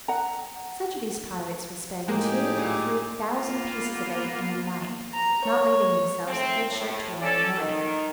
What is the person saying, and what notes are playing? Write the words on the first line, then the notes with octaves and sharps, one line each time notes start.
Such of these pirates will spend two or three thousand pieces of eight in a night, not leaving themselves a good shirt to wear in the morning.
F#5 A#5
A2 G#3 A#3 D#4 G4 G#4
A#2
A#3 B3 F4
A#5
C#5
A3 C4
A2
C#4 A4 D5
D#3